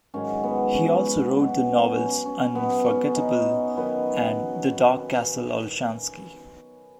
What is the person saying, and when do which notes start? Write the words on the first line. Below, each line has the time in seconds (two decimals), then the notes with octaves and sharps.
He also wrote the novels "Unforgettable" and "The Dark Castle Olshansky".
0.14 G#2 D#3 F#3 C#4
0.43 B3
0.75 C#4
1.35 B2 F#3
1.96 C#4
2.26 C#4
2.55 B2 F#3 B3
2.86 C#4
3.16 D#4
3.77 D#3 F#3 B4